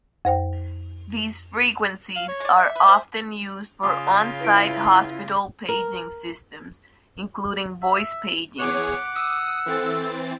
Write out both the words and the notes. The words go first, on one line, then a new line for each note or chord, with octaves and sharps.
These frequencies are often used for on-site hospital paging systems, including voice paging.
F2 C5 G5
F5
C#5
G#3 D5
E5
B4
C5
C#3 F4 G#5 C6 D#6
E4 B4 D7
A#4
E5
E2 G#4 C#5 F#5 D6
D#6 E6
E3 C4 A4 A6